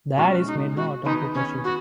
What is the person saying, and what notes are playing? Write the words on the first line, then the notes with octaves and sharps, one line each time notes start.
The allies made no attempt to pursue them.
B2 G#3 C#4 F#4
D#4
F#4
D#3 B3 D#4 G#4 B4
C#4
F#4